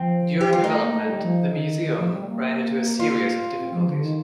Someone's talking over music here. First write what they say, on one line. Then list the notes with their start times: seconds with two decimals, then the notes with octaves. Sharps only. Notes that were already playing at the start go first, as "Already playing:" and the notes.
During development, the museum ran into a series of difficulties.
Already playing: F3 C4
0.41 G4
0.49 F3
0.53 G3 F4
0.64 A3 D#4
0.78 A#3
0.93 A3
1.07 G3
1.23 F3
1.52 D#3
1.82 D#3
1.97 F3
2.12 G3
2.26 A#3
2.99 F4
3.59 C4
3.73 F3
3.87 D3
4.03 D#3